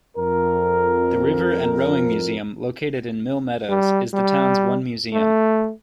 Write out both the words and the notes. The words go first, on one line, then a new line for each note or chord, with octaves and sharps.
The River and Rowing Museum, located in Mill Meadows, is the town's one museum.
F2 A#4
G3
G3
A3